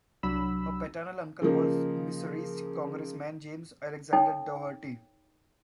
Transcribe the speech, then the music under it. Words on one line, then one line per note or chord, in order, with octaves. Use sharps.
Her paternal uncle was Missouri Congressman James Alexander Daugherty.
C2 F#3 D4 B5 E6
C#3 F3 A#3 D#4
D#4 A4 C#5 G5